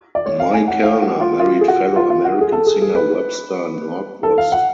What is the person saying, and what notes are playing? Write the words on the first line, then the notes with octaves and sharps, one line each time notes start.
Mai Kalna married fellow American singer Webster Norcross.
D5
C#5
F5
G#5
F#5
F5
F#4
F4
F4
G#4
F#4
F4
F4
F#4
G#4
A4
G#4
G#4
B4
A4
F5
F#5